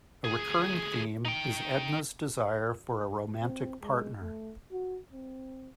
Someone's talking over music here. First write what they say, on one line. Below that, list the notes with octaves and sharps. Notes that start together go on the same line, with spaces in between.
A recurring theme is Edna's desire for a romantic partner.
D2 G#4
D#4 G5
C4
G#3
A3
F#4
C4